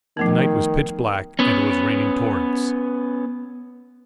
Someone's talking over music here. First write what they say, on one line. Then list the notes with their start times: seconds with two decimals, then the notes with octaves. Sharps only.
The night was pitch black and it was raining torrents.
0.17 D#3 F3 A3 B3
1.39 B3 C#4